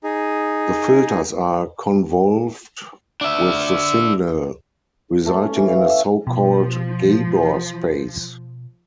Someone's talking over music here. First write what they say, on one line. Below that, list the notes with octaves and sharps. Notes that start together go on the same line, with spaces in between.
The filters are convolved with the signal, resulting in a so-called Gabor space.
D#4 G#4
D4 E5
A3
C#4
E3
F5
E5
B2 F3